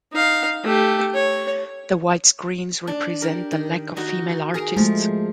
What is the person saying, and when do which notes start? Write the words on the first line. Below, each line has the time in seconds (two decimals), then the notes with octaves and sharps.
The white screens represent the lack of female artists.
0.12 D#4 F5
0.63 A3 G4
1.15 C#5
2.87 D4
3.22 G4 A#4
3.52 D#3
3.96 D#4 F#4
4.54 G#4 A#4 A#5
4.77 F3 G#3 A3